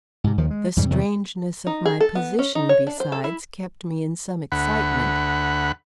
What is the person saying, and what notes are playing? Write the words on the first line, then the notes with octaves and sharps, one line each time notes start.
The strangeness of my position, besides, kept me in some excitement.
G#2 C3
D#2 D#3 F3
G#3
F2 G#2 C#3 G3
E2 C3 D#3 F#3
D#4
G#4
A4
B3
C#4
D#4
C#5
D4
C5
A4
E4
D2 F#5 B5